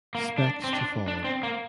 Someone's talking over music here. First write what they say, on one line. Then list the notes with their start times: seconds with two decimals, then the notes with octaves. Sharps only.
Specs to follow.
0.15 A#3
0.38 D4
0.64 C4
0.73 D4
1.08 D4
1.25 C4
1.43 A#3